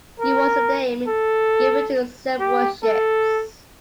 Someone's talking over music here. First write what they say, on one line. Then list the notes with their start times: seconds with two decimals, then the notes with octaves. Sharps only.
It was the name given to several ships.
0.20 A#4
1.08 A4
2.39 G4
2.83 A4